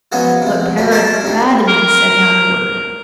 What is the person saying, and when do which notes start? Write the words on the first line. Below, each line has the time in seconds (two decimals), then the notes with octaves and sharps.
But Paridamie said not a word.
0.12 F3 F#3 G#3 B3 C#4
0.42 C3 F3
0.77 F#2 B2 G3
0.91 A#4 C#5 D5 F5 A5 C6
1.24 A#2 G3
1.68 A#4